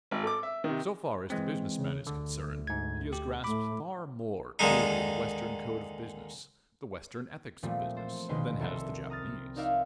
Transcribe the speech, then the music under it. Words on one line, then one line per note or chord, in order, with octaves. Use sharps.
So far as the business man is concerned he has grasped far more clearly the Western code of business, the Western ethics of business, than has the Japanese.
G#1
A4 D6
E5
C3 D#3
E3 G#3 C4
C#3
D2 D3
G#2 G#6
G4
A2 A3 B5 D6
D#2 D3 G#3 D#4
A#2 E3 F3 G3 A3 C4
A4 C5
A#1 B2 D#3 G#3 B4 C6
C2 A4 A#4 E5 C6
A#5 D#6 F6 A6
D#4 A#4 D5 E5 F5